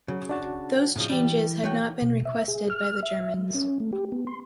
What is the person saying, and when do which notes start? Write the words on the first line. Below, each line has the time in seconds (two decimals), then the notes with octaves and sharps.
Those changes had not been requested by the Germans.
0.08 C#3 F#3
0.29 D4 F#4 A5
0.96 A2 C#3 F3
1.09 E3 G3 G4
1.64 A3 F#4 C#5 G5
2.02 B2
2.25 E5
2.48 G#4
2.70 F6
3.03 E5
3.34 F#3
3.55 C#4
3.80 A3
3.93 G4
4.12 B3
4.27 C6